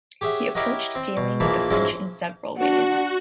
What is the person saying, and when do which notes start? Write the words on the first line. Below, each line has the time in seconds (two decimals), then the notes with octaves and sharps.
He approached dealing with the French in several ways.
0.21 G4 G#4 C#5 E5 F#5
0.55 E4 G4 A#4 C#5 D#5 F#5
0.95 C4
1.17 B2
1.40 A#1 A#2 E3 D#4 A5 B5
1.71 G#2 F3 F#3 C#4 E4
2.58 D4 F#4 F#5